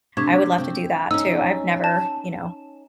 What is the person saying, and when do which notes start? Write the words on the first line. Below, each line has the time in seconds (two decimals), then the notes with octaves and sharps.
I would love to do that too. I've never, you know
0.17 C3 D4 C#6 G#6
0.58 C4
1.11 C#4 D#4 E6
1.84 A5